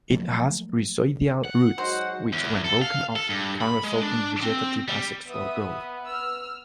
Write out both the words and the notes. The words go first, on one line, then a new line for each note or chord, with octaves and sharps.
It has rhizoidial roots, which, when broken off, can result in vegetative asexual growth.
F3 F#3 A3 A#3
F#5
F#3 G#3 D#4 F#4 C5
E2
A4
F5
A4
G2
B5
G#3
D4
C4
G3
B3 E5 D#6
E6 F6